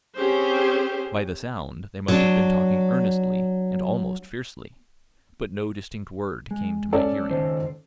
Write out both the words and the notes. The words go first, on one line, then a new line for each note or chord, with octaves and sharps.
By the sound they must have been talking earnestly, and almost fiercely; but no distinct word came to my hearing.
C4 C#4 G4 G#4 C5
F#3 D4
G#3
C#4 A4 D5
C#2 D#3 C5